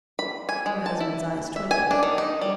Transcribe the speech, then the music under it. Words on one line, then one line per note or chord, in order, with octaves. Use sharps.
Her husband's eyes twinkled.
B5
G#5
G#3
A5
E4
E5
G#5
D4
D#3
D#4
G3